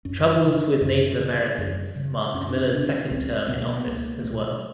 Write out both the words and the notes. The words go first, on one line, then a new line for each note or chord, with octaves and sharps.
Troubles with Native Americans marked Miller's second term in office as well.
F#2 C#4
C#3
F#2
C#3
F#2
C#3
F#2 C#4
D4
C#4
C#3 D4
C#4
C#2 C4
B2 B3
A#3
B3
C#2 A#3
A#3
B2 A3